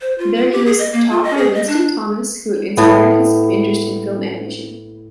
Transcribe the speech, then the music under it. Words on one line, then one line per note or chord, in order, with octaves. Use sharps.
There he was taught by Winston Thomas who inspired his interest in film animation.
C5
F4
F4
G4
G#4
D#5
A#3
F4
D#5
G#4
D#5
D4
A2 B3